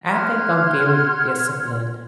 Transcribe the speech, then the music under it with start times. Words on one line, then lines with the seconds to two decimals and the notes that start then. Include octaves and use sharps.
I think I'm very disciplined.
0.09 F#5 C6 F6 G#6